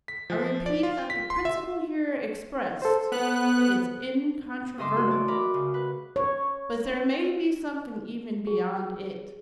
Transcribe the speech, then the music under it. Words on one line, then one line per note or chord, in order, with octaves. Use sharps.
I repeat that the principle here expressed, is incontrovertible; but there may be something even beyond it.
B6
F3
D5
F4
B6
C6
E5
A4 C5
B3 F#6
G2 C#3 D#5 E5 C6 D6
A3 F#4
D5
A#4 B5 D6
C#3
B4
C#5
G#4